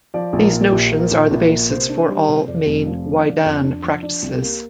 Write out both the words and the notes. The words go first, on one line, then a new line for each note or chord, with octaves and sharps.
These notions are the basis for all main "waidan" practices.
F3 D5
A#1
A#4
A#2
G4
A#1
A#3 A#4
A#1
A#1
A#3
C3 C5
D4
G3
C3
F2 D5
F1
F3
D3
A#3 D5
F2
D4
F3
D4 D5
C2
G4
A#3